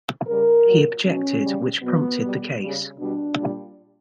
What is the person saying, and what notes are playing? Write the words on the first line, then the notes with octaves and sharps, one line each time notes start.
He objected, which prompted the case.
C#3 G3 A#4
A#2 F#3
B2 F#3 C#4
C#3 G3
B2 F#3 B3
B2 G3
C#3 G3
B2 G3 D4
A#2 G3